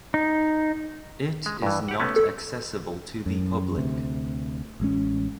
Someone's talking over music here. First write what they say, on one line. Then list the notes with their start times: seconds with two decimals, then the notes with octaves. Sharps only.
It is not accessible to the public.
0.14 D#4
1.46 G#3
1.62 G2 E3
1.88 G4 F#5
2.00 A3 B3 C#4
2.16 A4
3.26 F#2
3.78 D2 C3
4.80 A1 G#3 C#4